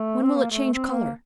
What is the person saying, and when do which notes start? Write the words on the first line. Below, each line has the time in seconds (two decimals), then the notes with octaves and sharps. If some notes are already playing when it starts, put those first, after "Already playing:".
"When will it change colour?"
Already playing: A3
0.24 C4
0.38 A#3
0.51 A3
0.73 C4
0.93 A#3